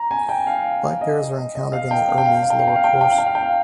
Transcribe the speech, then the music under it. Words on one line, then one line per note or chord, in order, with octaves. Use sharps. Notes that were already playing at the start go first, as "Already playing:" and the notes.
Black bears are encountered in the Urmi's lower course.
Already playing: A#5
G#5
G5
F5
D#5
D#5
F5
G5
F5
G5
F5
G5
F5
G5
F5
G5
F5
G5
F5
G5
F5
G5
F5
G5
F5